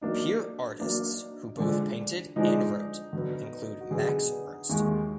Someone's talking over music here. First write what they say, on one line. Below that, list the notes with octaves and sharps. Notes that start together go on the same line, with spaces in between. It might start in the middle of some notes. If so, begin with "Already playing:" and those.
Peer artists who both painted and wrote include Max Ernst.
F#3 A#3 D4 D#4
F#3 A#3 D4
D3 F3 G#3 D4
D3 F3 G#3 D4 D#4
D3 F#3 B3
F#4
D3 F#3 B3 G#4
D#2 D#3 G#3